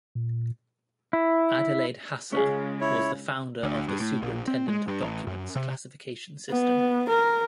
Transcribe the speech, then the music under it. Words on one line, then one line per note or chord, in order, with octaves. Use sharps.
Adelaide Hasse was the founder of the Superintendent of Documents classification system.
A#2
E4
C#3 G#3 C#4 F4 G#4
E4 C#5
D2
G2
A2
A#1
C4
G#3
G2
A1
F#2
C3
B3
A#4